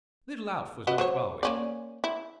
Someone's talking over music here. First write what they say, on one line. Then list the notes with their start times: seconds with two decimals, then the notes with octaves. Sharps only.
Little Alf was knocked bawways.
0.87 F#4 B4 D#5
0.98 F#3 C5 C#5
1.43 A#3 C#4 D5
2.04 E4